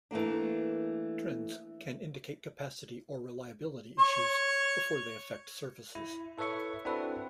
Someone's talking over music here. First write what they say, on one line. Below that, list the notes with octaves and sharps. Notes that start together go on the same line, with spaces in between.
Trends can indicate capacity or reliability issues before they affect services.
E3 A3 A#3 D4
C#5
E4
E4 A4 B4 C#5 E5 C#6
C4 D4 E4 F#4 A4 B4